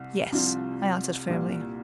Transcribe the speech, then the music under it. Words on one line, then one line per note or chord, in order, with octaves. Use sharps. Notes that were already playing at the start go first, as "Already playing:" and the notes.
"Yes," I answered firmly.
Already playing: C2 C3
C2 C3 F3 C4 F4
C2 A#2 G3